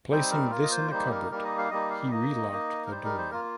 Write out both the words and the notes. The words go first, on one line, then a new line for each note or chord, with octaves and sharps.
Placing this in the cupboard, he relocked the door.
G3 C4 D#4 C5
A#4
A#3 F4 A#4
D#5
C5
G3 A#3 D#4 C5
A#4
G3 A#3 D#4 A#4
D#5
F5
G3 A#3 D#4 D#5
F5
A#3 D#4 D#5
A#3 D#4
A#4
G3 D#4 C5
A#4
C5
A#3 F4 A#4